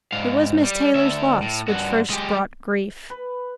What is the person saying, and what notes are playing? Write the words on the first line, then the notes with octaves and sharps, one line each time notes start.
It was Miss Taylor's loss which first brought grief.
G#2 F5
G3
D2 E5
A2
G2 F#4
G#3 G4
B4